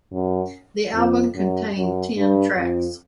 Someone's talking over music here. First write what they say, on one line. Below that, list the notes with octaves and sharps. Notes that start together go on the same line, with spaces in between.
The album contained ten tracks.
F#2
F2
F#2
F#2
G2
F2